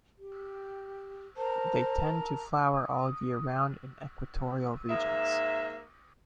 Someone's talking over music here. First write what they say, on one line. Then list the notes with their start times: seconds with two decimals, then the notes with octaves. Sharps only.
They tend to flower all year round in equatorial regions.
0.18 G4
1.37 A#4 C5 A5 A#5
4.90 G#2 A#3 E5